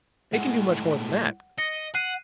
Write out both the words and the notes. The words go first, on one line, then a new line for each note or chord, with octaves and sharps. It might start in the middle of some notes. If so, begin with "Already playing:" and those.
It can do much more than that.
A2 G#3 F#5
D#5 A#6 C#7
F#5 F#6 C7 D#7